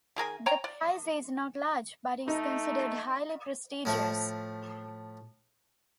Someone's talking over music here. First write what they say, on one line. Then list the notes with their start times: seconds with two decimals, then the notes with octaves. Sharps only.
The prize is not large, but is considered highly prestigious.
0.16 D#3 G#4 A#4 G#5
0.46 C#5 G5 G#5 A#5
0.64 D5
2.28 A3 D#4
3.85 A2 F3 A3